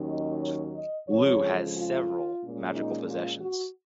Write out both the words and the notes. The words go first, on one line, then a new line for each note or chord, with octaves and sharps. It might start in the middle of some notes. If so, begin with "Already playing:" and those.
Lugh has several magical possessions.
Already playing: D#2 D#3 F#3 C#4
D#5
C#5
D#5
F2 C#3 F3 G#3 C#5
F4
A#2 G#3 C#4
D#4
F4
F#4